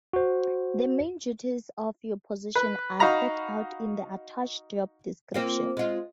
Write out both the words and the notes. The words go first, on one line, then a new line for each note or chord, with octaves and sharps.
The main duties of your position are set out in the attached job description.
F#4 C5
B4
D#4 F#4 F5 A#5 B5
A#3 C4 F4
G#3 F4